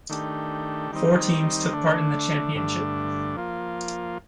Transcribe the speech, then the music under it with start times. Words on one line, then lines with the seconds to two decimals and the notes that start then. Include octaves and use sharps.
Four teams took part in the championship.
0.09 D#3 A3 D4 G4
0.92 D#3 G3 C4 D#4
1.73 D3 A3 D4
2.54 G2 D3 A3 D4
3.36 F3 A#3 F4